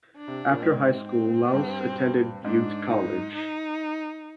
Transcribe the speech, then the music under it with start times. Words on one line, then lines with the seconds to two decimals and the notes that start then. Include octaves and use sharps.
After high school, Lohse attended Butte College.
0.17 D4
0.28 C3
0.51 A#2
0.62 G#2 C4
1.08 C4
1.53 G2
2.44 G#2 D4
2.90 D#4
3.35 D#4